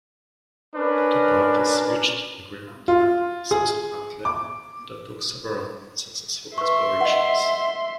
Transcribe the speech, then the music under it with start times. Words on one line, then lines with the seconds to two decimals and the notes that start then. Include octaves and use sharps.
The two parties reached agreement and, subsequently, undertook several unsuccessful explorations.
0.75 C#4 D4 A#4 B4
2.88 F4
3.51 G#4
4.25 D6
6.58 B4 E5 C6 C#6
7.01 D#5 F#5